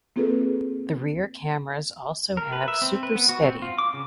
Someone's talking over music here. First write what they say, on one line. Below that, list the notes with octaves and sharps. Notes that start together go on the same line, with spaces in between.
The rear cameras also have Super Steady.
A#3 C4 F4 G#4 A4 B4
A#4
B4
E5
C4
B4
B3
F#4
C4
F4
D6
C#3